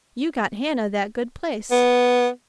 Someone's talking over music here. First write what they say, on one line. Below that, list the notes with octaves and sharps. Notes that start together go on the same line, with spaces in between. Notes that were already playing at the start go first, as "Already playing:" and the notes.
You got Hannah that good place.
B3